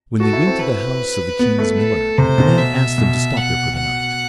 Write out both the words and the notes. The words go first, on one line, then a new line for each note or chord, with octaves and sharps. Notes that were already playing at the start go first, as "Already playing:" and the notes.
When they went to the house of the king's miller, the man asked them to stop there for the night.
F#4 A4
E4
C4
B4
B3
A3
A4
C3 C5
B2
E5
B2
F#5
F#5